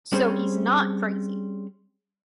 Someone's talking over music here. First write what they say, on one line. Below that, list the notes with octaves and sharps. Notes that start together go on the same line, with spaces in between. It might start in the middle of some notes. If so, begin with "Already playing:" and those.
So he's not crazy.
G3 C4 C#4 G#4 C5